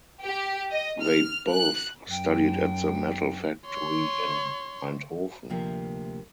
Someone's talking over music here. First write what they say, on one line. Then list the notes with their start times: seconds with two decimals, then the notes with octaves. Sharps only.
They both studied at the Metal Factory in Eindhoven.
0.21 G4
0.72 D#5
1.01 F6
1.52 F#6
2.11 F#2 G5
3.66 C#5 C6
5.50 D2 C3 F3 A#3 E5